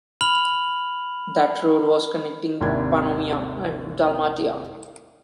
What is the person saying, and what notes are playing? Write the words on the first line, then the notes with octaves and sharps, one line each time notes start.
That road was connecting Pannonia and Dalmatia.
B5 F6 F7 F#7
G#1 D#2 C3 D4 E4 G#6